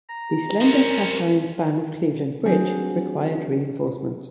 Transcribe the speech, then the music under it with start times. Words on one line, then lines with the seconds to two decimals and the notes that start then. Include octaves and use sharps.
The slender cast iron span of Cleveland Bridge required reinforcement.
0.09 A#5
0.61 F3 C#4 A#4
2.45 F#3 A3 C4 D4 G#4